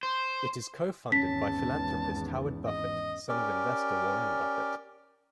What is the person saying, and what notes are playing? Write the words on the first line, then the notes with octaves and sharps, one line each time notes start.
It is co-funded by philanthropist Howard Buffett son of investor Warren Buffett.
C5
G#1 E2 G#2 C#4 A5 B6
D#5
C#4 G4 A#4 D5